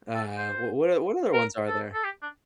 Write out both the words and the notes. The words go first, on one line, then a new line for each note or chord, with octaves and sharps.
uh, w what o what other ones are there?
A4
C5
A#4
A4
A4
G4
D4